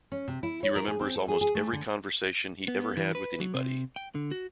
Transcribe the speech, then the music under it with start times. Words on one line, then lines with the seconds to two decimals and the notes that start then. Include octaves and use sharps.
He remembers almost every conversation he ever had with anybody.
0.12 C#4
0.28 C3
0.43 E4
0.63 C#5
0.76 A#4
0.88 G#4
1.00 C4
1.16 A4
1.28 G#4
1.41 G#4
1.55 A3
1.73 D3
2.68 B3
2.97 E3
3.15 B4
3.40 F#3
3.54 C3
3.96 G5
4.15 D3
4.31 F#4